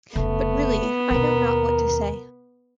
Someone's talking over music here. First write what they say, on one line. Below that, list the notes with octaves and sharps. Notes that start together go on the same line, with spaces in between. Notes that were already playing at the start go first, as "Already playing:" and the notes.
But, really, I know not what to say.
F1 C#3 A3 B3
D#2 B2 A#4